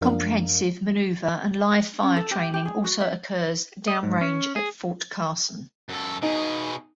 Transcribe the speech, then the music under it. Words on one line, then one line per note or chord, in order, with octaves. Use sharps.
Comprehensive maneuver and live fire training also occurs downrange at Fort Carson.
F#2 F3 D4 A#4 F5
C#4
A4
G4
G4
G#4
F#4
E5
D#5
G#2
C#4
G#4
F#2 A4
B2 D#4 G#4